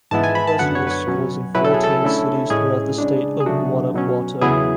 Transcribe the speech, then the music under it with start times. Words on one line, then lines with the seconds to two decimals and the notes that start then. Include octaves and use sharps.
The university has schools in fourteen cities throughout the state of Guanajuato.
0.11 G#2 E3 G#3 B3 E4 A5
0.23 G#5
0.35 B5
0.47 A5
0.59 F#2 D3 F#3 B3 F#5
0.75 C#5
0.87 B4
0.91 C#5
1.06 B2 F#3 C#4
1.54 B2 F#3 C#4 E4 B4
1.64 A4
1.74 G#4
1.84 A4
2.03 D3 A3 C#4 E4
2.50 A2 G#3 C#4 G#4
2.98 C#3 G#3 D4
3.40 G#4
3.46 C#3 F#3 A3 D4 F#4
3.94 B2 F#3 C#4
4.41 E2 C#3 F#3 B3 E4 G#4